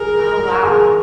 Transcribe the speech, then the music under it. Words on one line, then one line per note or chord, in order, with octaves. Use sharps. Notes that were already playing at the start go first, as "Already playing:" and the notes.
Oh, wow.
Already playing: G#4 A#4
G#4